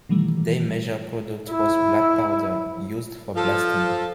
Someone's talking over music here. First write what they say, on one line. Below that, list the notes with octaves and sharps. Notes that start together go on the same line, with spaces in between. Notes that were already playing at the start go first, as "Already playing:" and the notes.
Their major product was black powder, used for blasting.
B2 D#3 E3 G3 A3
E4
F3 A4